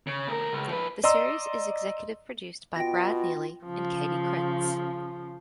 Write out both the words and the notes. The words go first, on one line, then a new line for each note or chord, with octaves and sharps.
The series is executive produced by Brad Neely and Katie Krentz.
C#3
D2 A#4
C#2
F3 B4
D5 D#5 A#5 C6 E6
B2 F4 G5 A#6
C#3 F3